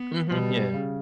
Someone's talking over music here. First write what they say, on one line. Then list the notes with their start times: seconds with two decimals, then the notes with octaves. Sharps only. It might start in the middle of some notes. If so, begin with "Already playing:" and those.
Mhm, yeah.
Already playing: B3
0.31 B2 G3
0.74 C#3